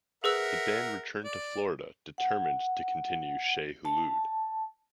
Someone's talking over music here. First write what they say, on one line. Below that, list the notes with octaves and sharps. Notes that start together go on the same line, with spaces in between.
The band returned to Florida determined to continue Shai Hulud.
G#4 A#4 B4 E5 F#5 E6
D5
F#5
A5